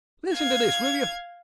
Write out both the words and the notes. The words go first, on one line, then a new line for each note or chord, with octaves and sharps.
Listen to this, will you?
F5 G#6